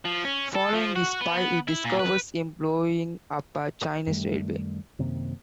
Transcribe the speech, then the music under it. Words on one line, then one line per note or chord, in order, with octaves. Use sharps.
Following the spy, he discovers him blowing up a Chinese railway.
F3
C#4
A4
F3
F#4
B3
B3
E4
A#2
B4
F#2 D#3 G3 A3
F#2 C3 D#3 A#3